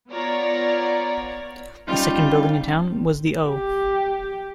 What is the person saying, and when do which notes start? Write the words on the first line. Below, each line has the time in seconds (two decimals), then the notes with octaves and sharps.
The second building in town was the O.
0.10 B3 F4 C#5 D5 A#5
1.88 G3 C#4 D#4 F4
3.50 G4